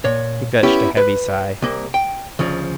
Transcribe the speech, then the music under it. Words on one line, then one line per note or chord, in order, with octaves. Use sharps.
He fetched a heavy sigh.
A#2 C#5
B3 C#4 E4 G4
B4
C2 A#3
G5
D2 C#3 F3